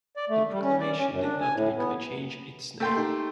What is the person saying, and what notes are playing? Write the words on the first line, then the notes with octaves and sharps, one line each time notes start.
The proclamation did not legally change its name.
D5
A3
G3
C#4
D5
C#4
F#2
D4
G#5
A2
B3
A3 A#3 G5 C6
D#4 G4 A4